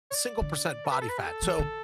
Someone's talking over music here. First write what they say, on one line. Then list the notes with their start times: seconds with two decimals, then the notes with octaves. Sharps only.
single percent body fat. So,
0.11 C#5
0.15 D5
0.41 D3
0.85 A4
0.92 B4
1.02 A4
1.09 B4
1.19 G4
1.26 A4
1.42 E3
1.59 D3